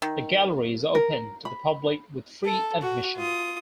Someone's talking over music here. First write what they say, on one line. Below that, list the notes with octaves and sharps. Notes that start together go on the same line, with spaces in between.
The gallery is open to the public with free admission.
D#3
A#4
B5
A4
F#4
F4 D#6